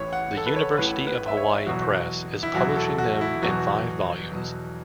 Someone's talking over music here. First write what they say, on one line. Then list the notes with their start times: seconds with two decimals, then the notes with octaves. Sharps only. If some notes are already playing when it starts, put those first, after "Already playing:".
The University of Hawaii Press is publishing them in five volumes.
Already playing: A1 A2 E3 C#5
0.13 F#5
0.37 A4
0.47 B4
0.56 C#5
0.78 A1 A2 E3 B4
1.07 B4
1.28 E5
1.37 C#5
1.67 E2 B2 F#3 F#4
2.43 E4
2.54 E2 B2 F#3 F#4
2.77 A4
2.98 F#4
3.21 E4
3.43 E2 B2 F#3 F#4
4.32 E2 B2 F#3